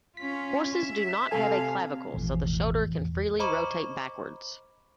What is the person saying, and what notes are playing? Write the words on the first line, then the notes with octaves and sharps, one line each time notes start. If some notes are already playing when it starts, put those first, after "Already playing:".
Horses do not have a clavicle, so the shoulder can freely rotate backwards.
C#4 F4 B6
E5
C3 A4 F5 G#5
E1 A1 A2 F3
E2
C5 D#5 A#5 B5 C#6 D6